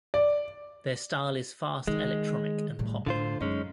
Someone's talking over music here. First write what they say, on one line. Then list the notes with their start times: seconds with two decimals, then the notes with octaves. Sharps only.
Their style is fast electronic and pop.
0.14 D5
1.88 D#3 G#3
2.79 A2 G3
3.06 A2 D3 F4 C5
3.41 F#2 G#3 C#4 D#4